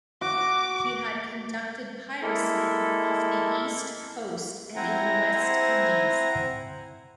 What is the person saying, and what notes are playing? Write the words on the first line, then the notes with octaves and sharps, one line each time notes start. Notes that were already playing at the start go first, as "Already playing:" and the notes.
He had conducted piracy off the East Coast and in the West Indies.
F#4 D6
G#3 A#3 E4 A4
C4 E4 C5 F#5 G#5 A#5